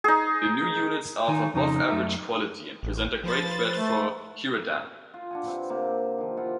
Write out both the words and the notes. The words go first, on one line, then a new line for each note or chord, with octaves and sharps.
The new units are of above-average quality and present a great threat for Heradan.
D#4 G#4
D#3 D#4 G#5
F2 C#3 D#4 A#5
F#2 A3 E5
A1
F3 B4 C5 A6
A3
F4
D4 F#5 G#5
C3 C4 B4
C3 A#3
D#3 F3
E4 F4 F#5